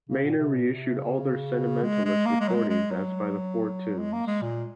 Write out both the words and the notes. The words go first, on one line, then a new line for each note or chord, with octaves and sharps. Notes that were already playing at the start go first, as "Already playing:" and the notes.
Manor reissued all their Sentimentalists recordings as by the Four Tunes.
C#3
A#2
C3
A#2
C3
C#3
G#3
G#3
A#3
G#3
F#3
G#3
G#3
F#3
G#3
A#3
G#3
A#2